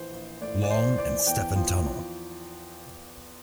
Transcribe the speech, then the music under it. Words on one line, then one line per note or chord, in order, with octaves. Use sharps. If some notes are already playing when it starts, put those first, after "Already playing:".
Long and Stephen Tunnell.
Already playing: A#1 E3 C5
A#1
A2 D5
D5
A#1 C5
E3 D5
E2 G5
F3